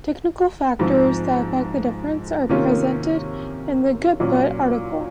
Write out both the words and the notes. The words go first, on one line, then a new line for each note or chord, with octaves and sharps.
Technical factors that affect the difference are presented in the "goodput" article.
G#2 F3 C4
C3 D#3 A#3 C#4 F4
A#2 F#3 C#4 F4